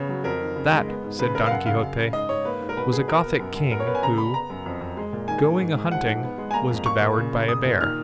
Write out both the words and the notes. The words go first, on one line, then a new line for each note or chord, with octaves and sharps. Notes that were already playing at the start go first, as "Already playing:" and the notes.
"That," said Don Quixote, "was a Gothic king, who, going a-hunting, was devoured by a bear."
Already playing: C#3 B3 C#5
F#3
F2 A#4
D#3
C#3
G#3
B3
G#2
C#3 B4
C#3 A#4
F5
F#2 F#5
C#3 F5
C#3
C#3
G#2 D#5
G#2 C#5
A#3 B4
G#2
A#4
B2 B4
B2 G#4
B3 A#4
B3
F#2
F#2
B3 A#4
C#5
B3 B4
G#5
C#3 A#5
C#3 B5
B3 A#5
F#2
F2
F2
G#3
A#2
D#3 G#5
D#3
G#2
G#2
F3 F#5
G#2
B3
G#3
G#5
A#3 A#5
F2
A#3 C#6
A#2
C#3
C#3
A#2 D#6
A#2
D#3 F6